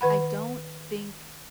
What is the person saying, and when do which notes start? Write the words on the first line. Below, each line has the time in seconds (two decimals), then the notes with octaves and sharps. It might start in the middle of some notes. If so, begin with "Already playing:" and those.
I don't think
0.01 D#3 B4 F#5 B5